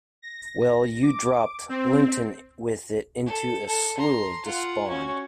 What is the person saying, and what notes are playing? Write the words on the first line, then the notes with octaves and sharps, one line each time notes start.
Well, you dropped Linton with it into a Slough of Despond.
A#6
D6
C4
A4
A4
A#5 C6
F4 F#5
C#4 F#4